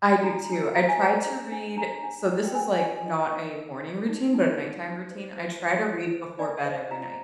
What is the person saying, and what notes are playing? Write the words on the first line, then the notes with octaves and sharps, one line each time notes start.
I do too, I tried to read so, this is, like, not a morning routine, but a nighttime routine, I try to read before bed every night.
D4 A#5
D4
G4 A#5
G#5
C5 A#5
D4
D4
D4 A#5
D4
G4
G5
A#4 G#5
D4 G#5
D4 D#5
D#4 D#5
A#4
A#4
D#4
D#4
A#4
F4
C5
C5
F4
F4
C5
D4 D5
C5 D#5
F4 A#5